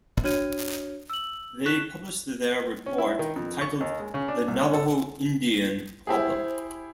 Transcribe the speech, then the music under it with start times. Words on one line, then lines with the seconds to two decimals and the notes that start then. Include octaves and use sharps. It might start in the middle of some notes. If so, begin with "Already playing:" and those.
They published their report, entitled "The Navajo Indian Problem".
0.23 D4 F#4 C#5 F6 G#6 D#7
1.10 E6 F#7
1.65 E4 C#6 F#6 B6 E7
2.86 C#4
2.98 E4
3.19 D#3
3.36 F2
3.61 C#6
3.81 D#2
3.99 G#3
4.14 C#3
4.28 D4
4.48 C2
4.61 C#4
4.74 A4
6.07 E4 G4 G#4 C5